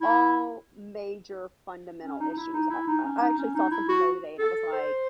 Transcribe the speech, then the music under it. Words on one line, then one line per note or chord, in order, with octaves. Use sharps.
all major fundamental issues, I I I actually saw something the other day and it was like
E4
C#4
D#4
D#4
E4
D#4
E4
D#4
C#4
D#4
C#4
D#4
E4
F#4
A4
C5